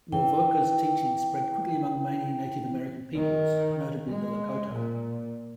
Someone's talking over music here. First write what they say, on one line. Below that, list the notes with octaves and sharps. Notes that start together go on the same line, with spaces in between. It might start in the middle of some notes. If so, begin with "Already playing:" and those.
Wovoka's teachings spread quickly among many Native American peoples, notably the Lakota.
E3 G5
D#3
G#3
A#2